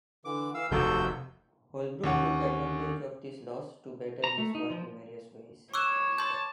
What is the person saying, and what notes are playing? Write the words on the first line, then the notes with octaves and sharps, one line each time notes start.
Holbrook took advantage of this loss to better his work in various ways.
D3 E3 D6
E3 F5 E6
F1 D#2 C3 F#4 A4 E6 G6
D#2 C#4 F#5
A#5
A3
D#4
F3
C#5 C#6 D6 E6 F#6 G#6 E7
A5 C6 G6